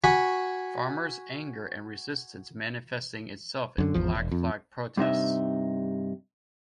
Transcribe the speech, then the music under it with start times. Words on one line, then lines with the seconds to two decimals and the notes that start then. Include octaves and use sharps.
Farmers' anger and resistance manifesting itself in black flag protests.
0.04 F#4 G#5 B5 C#6
3.78 F#2 D3
3.94 G#1 E2 F3
4.15 E1
4.31 F2
4.97 G2 C3 D#4 E5